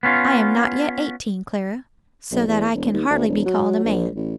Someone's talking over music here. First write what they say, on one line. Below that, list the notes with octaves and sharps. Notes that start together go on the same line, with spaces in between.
"I am not yet eighteen, Clara, so that I can hardly be called a man."
B3 C#4 F4
B1
E2
E1
D#2
D2
E1
F#3
A#1
A1